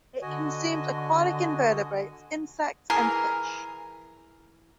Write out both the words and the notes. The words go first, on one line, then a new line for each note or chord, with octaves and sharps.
It consumes aquatic invertebrates, insects, and fish.
D3 F#4 D#5 G#5
E3 G#4 A#4